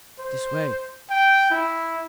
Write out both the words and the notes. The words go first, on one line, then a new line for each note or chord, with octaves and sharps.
"This way."
C5
G5
E4